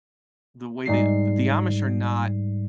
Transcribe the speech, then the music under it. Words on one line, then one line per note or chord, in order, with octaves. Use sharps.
the way they the Amish are not
G#2 G3 C7